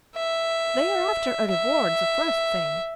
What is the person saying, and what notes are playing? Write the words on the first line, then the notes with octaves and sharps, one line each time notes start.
"They are after a reward the first thing."
E5
E5